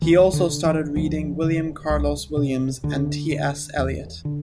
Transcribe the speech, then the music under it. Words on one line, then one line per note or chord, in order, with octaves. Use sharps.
He also started reading William Carlos Williams and T. S. Eliot.
D2 E3
D3
D3
E3
D2 F3
D3
C2
C3
D2 D3
D3
E2
D3